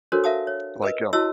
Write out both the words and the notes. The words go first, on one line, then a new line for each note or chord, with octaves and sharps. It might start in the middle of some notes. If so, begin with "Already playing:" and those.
Like, uh
D4 F#4 A4 A#4 C5 C#5
A#4 E5 F5 A5 D#6
C#5
A#4 B4 D#5
E4 F#4 C#5 D#5 A5 E6